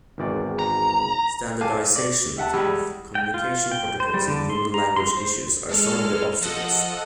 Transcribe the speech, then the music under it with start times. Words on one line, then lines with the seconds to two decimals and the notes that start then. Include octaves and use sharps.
Standardization of communication protocols and human language issues are some of the obstacles.
0.18 G#1 E2 D5
0.59 A#5
1.61 F5 G#5 A5 D6
1.96 D5
2.37 G4 E5 F#5 A5
2.53 E2 G3 G#3 G4 B5 E6
3.15 G5
3.34 F4
3.71 G5
4.00 C5
4.14 G3
4.28 D3
4.50 C6
4.74 A#5
4.96 C6
5.17 C5
5.69 G#3 A4 F6
6.41 F3 A4 D#5 F#5